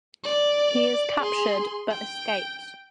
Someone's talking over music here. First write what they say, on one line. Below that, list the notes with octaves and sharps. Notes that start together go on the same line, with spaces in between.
He is captured but escapes.
D5
G#4 C6
G5